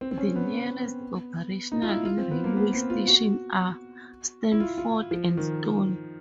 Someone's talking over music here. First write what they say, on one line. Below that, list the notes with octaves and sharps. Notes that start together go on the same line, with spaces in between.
The nearest operational railway stations are Stafford and Stone.
C4
C4
C#4
B3
D#4
F4
E4
F4
C4
B3
A#3
B3
C4
F4
F#4
E4
F4
F4
F3
D#3